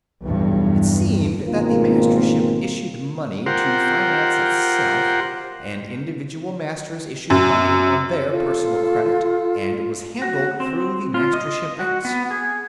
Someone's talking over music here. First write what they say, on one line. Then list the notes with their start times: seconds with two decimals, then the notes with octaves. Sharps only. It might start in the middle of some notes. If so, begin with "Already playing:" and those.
It seemed that the Mastership issued money to finance itself, and individual Masters issued money on their personal credit, and it was handled through the Mastership Banks.
0.23 B1 E2 G2
1.47 G#1 B2 A#3 C4 F4 A#4
3.46 F4 G4 A#4 C5 F#5
7.30 F#2
8.31 F4 A4
10.22 F#4
10.60 C4
11.14 F4
11.33 D#5
11.79 F#4
12.05 B3
12.31 G#4